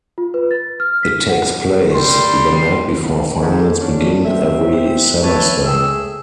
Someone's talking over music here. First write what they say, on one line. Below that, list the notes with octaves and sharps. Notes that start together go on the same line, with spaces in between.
It takes place the- night before finals begin every semester.
F4
B4
A6
F6
B6
F#5
G3 C6
G#2
C#4 D4
C4 E5
B4 C#5 D5 E5 A5
A3 G4 G#4 E6